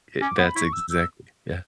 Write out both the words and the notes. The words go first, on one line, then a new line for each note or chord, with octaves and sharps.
It that's exactly Yeah.
C#4 D6
B3 B5
E4 C#6
E6
E6